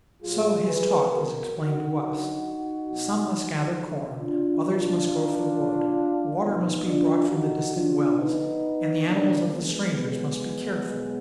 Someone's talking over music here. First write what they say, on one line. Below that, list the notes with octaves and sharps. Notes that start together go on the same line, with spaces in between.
So his talk is explained to us. Some must gather corn, others must go for wood, water must be brought from the distant wells, and the animals of the strangers must be cared for.
A#2 F#3 F4 G#4
G#4 B4
B2 F#3 F#4 A#4
D#4 F#4
D3 F#3
B2 F#3
D3 F#3
D4 F4
B2 F#3 D4 F4
A#2 F3
B2 F#3 B3 D#4
D4 F4
D3 F3 D#4 F#4
D4 F4
D3 F3 B3 D#4
B2 F#3 A#3 D4
G#3 B3
B2 F#3
B2 F#3